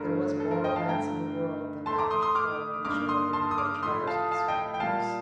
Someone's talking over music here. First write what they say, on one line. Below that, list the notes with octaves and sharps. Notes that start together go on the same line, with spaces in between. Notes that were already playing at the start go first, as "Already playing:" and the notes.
There was more romance in the world than that which had fallen to the share of the middle-aged lovers of the stone house.
Already playing: G2 D3 A3 A#4
A4
A#4
D#5 G5
F5 A5
G2 D3 A3 G5 A#5
A2 A3 A5 C6
A#5 D6
C6 D#6
C6 D#6
D6 F6
G2 D#3 A#3 D6 F6
C6 D#6
A5 C6
D#6
D6 F6
A2 F3 A3 C6 D#6
F5 A5
F5 A5
D#5 G5
G5
A#2 G3 A#3 F5 A5